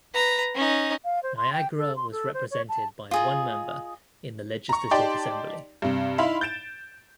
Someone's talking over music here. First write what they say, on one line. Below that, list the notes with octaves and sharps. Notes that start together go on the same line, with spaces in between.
Niagara was represented by one member in the Legislative Assembly.
B4 A#5
C#4 D#4
F5
C5
C6
G5
A4
C6
A4
C5
C#5
A5
F4 G#4 D#5
A#5 C#6
D#4 G4 D5 G5 A5 C6
G2 C3
D#4 E4 E5 F5 B5 C6
G6 A6 D7 E7